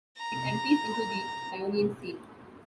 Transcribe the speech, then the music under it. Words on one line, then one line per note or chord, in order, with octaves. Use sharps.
It empties into the Ionian Sea.
A#5